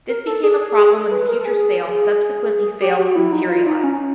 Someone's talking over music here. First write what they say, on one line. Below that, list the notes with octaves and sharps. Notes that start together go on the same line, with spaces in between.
This became a problem when the future sales subsequently failed to materialize.
A#4
A4
G#4
G#4
G#4
A4
B4
A#4
A4
G#4
G4
F#4
E4
D#4
F4
D#4
C#4